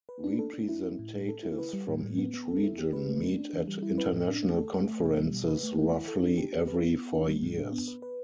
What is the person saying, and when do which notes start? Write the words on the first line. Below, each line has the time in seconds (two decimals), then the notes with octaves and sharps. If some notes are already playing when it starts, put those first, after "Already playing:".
Representatives from each region meet at International Conferences roughly every four years.
0.09 B4
0.24 D4
0.39 A4
0.54 D4
0.68 E4
0.83 E4
0.99 A2
1.14 A2
1.29 A4
1.43 E4
1.58 B4
1.73 G3
1.88 A2
2.03 A2
2.18 B3
2.34 B3
2.48 A4
2.64 E4
2.79 G4
2.93 B4
3.09 A3
3.23 D4
3.38 D4
3.53 E3
3.68 G3
3.82 E4
3.98 B4
4.13 A2
4.28 D4
4.43 A3
4.57 A4
4.73 A4
4.88 A3
5.02 B2
5.18 G3
5.33 B2
5.48 B4
5.63 A3
5.78 E4
5.93 E4
6.08 A4
6.23 D4
6.38 G4
6.53 G4
6.68 B4
6.83 B3
6.98 B3
7.13 D4
7.28 G3
7.43 A2
7.58 D4
7.72 B3
7.88 B4
8.02 B4